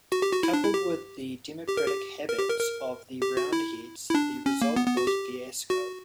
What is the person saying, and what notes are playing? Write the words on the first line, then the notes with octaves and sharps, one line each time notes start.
Coupled with the democratic habits of the Roundheads, the result was fiasco.
F#4
G4
F#4
E4
D4
E4
G4
G4
A#4
G4
A#4
G4
A#4
A#4
G4
F#4
E4
E4
D4
C#4
A#3
B3
B3
F#4
G4
F#4